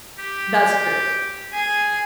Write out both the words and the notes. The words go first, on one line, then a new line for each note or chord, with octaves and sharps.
That's true.
G4
G#4 G#5